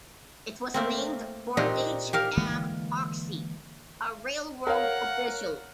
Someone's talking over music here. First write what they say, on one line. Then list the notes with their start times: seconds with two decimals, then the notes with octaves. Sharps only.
It was named for H. M. Hoxie, a railroad official.
0.74 A3 A#3 C4
1.57 A#2 C4 D4 D#4 G4
2.13 G4 A#4 F5
2.37 D3 E3 G#3 A#3
4.67 A#4 C#5 F5 F#5